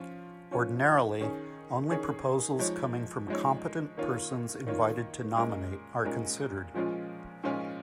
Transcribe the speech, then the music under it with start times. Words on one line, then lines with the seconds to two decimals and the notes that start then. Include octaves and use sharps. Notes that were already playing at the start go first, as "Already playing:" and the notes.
Ordinarily, only proposals coming from competent persons invited to nominate are considered.
Already playing: F3 C#4 F4
0.51 F3 C#4 F4 C#5
1.21 D#3 C#4 G#4 C#5
1.90 D#3 C#4 G#4 C#5
2.59 F3 G#3 D#4 C#5
3.28 F3 G#3 D#4 C#5
3.97 D#3 A#3 F4 C#5
4.67 D#3 A#3 F4 C#5
5.35 A#2 G#3 C#4 A#4
6.05 A#2 G#3 C#4 A#4
6.74 A#2 F3 G#3 C#4 F4
7.43 A#2 F3 G#3 C#4 F4